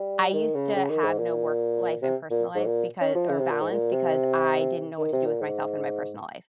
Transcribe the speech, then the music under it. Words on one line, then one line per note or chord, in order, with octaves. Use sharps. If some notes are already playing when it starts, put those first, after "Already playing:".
I used to have no work life and personal life becau or balance because I didn't know what to do with myself in my personal life.
Already playing: G3
D#3
C#3
C#3
D#3
G#2
A#2
C3
A#2
G#2
A#2
C#4
F3
C#3
C3
A#2
G#2
A#2
C3
D#3
C3
A#2
G#2